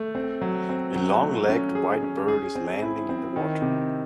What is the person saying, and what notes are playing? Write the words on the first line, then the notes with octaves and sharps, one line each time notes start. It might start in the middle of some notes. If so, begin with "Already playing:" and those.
A long legged white bird is landing in the water.
Already playing: A3
C4
F#3
C4
F#3
A3
C#4
G#4
C#4
G#4
C4
E4
C4
D#3
C3